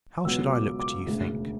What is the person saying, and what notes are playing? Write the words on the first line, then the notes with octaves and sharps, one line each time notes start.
How should I look, do you think?'
C#2 B2 F#3 B3 E6
D6
D6
E1 D2 C#3